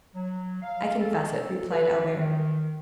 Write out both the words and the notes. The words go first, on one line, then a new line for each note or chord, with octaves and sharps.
"I confess it," replied Albert.
F#3
F5
A4
B4
D#3